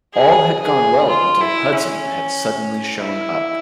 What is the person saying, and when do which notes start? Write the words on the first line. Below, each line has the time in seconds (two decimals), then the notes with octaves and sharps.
All had gone well until Hudson had suddenly shown up.
0.14 G#4
0.62 G#4
1.09 F4
1.40 E4
1.72 C#4
2.98 E4